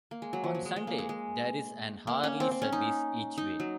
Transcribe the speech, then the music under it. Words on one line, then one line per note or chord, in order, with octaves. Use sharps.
On Sunday, there is an hourly service each way.
A#3
G#3
F#3
F3
F#3
G#3
G#3
A#3
G#3
G#3
A#3
C#4
C4
C4
C#4
D#4
D#4
F#3